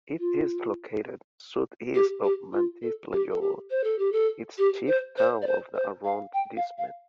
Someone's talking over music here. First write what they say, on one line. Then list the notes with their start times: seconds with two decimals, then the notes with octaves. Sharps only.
It is located southeast of Mantes-la-Jolie, its chief town of the arrondissement.
0.19 F4
1.94 G4
2.24 G4
2.53 F4
2.82 A4
3.12 G4
3.31 A4
3.41 G4
3.70 C5
3.84 A4
3.98 G4
4.12 A4
4.58 G4
4.87 C5
5.17 C5
5.42 D5
5.46 C5
5.75 C5
6.04 F5
6.33 G5
6.56 F5
6.78 F5